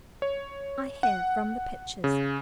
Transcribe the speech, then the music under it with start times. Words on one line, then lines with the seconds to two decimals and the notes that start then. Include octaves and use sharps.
I have, from the pictures.
0.22 C#5
1.03 F#5
2.04 C#3